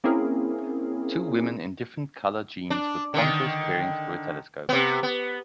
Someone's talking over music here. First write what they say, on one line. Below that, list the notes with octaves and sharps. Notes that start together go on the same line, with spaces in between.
Two women in different color jeans with ponchos peering through a telescope.
A#3 C4 C#4 E4 G#4 A#4
D4
D3 D#3
C3 B3
B3